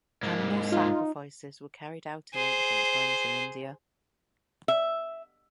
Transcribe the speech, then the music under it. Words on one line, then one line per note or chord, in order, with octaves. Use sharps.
Animal sacrifices were carried out in ancient times in India.
G#2 A#3
D#4 F4
G#4 C5
E5